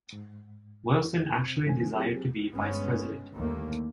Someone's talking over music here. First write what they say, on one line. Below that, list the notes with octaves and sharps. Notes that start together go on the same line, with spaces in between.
Wilson actually desired to be Vice President.
G#2
C3 C4
G#2 C#3 E3 A3 C4 G#5
F#3 C4 G4 G#4
G1 G2 G#3 B3 C#4
D#2 D3 G3 A3 A#3